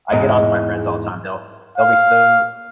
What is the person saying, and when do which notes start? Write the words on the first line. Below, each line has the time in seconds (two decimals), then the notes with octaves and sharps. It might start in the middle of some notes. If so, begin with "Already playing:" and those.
I get onto my friends all the time, they'll they'll be so
0.12 E2 G#2 G#3
1.78 F5